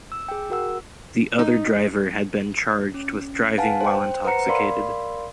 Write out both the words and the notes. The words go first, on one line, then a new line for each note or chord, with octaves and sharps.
The other driver had been charged with driving while intoxicated.
E6
G#4 G5
F#4 A#4 F#5 E6
D#4
C#4
B4 F5 F#5 G#5 A5
C5 G5
B4 C5 F#5 A#5 C#7
A#4 D5 F5 B5 C6